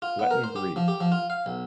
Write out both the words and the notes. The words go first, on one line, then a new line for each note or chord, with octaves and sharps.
Let me breathe!
F4
B3
A#4
C5
G4
F3
G4
F3
F4
F5
B1